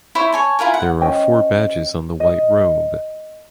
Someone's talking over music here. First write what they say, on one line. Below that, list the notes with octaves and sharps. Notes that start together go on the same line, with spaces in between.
There are four badges on the white robe.
E4 C5 C#5
C#5 G#5 A5
E4 F4 A#4 G#5
F#5
C#4 C5 D#5 G5
D#5